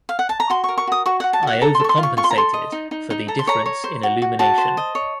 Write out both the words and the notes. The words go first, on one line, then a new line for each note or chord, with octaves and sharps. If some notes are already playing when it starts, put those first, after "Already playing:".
I overcompensated for the difference in illumination.
F5
F#5
A5
A#5
F#4 C6
C#6
A#4
C#6
F#4 D#6
F#4 C#6
F#4 F#5
A5
F#4 F#5
A4 A#5
C6
A4 C#6
C6
F4
C#6
F4 C#6
C6
A#5
A4 C6
D#5
D#4
D#4
D#4
A4 A#5
C6
C#5 A#5
C#5
C5
F#4
F#4
F#4 A5
C5
D#5
C#5